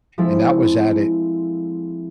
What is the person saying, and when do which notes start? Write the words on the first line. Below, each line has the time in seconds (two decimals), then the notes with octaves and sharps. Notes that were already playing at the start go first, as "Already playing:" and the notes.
And that was at it
0.18 F3 G#3 C4 E4 A4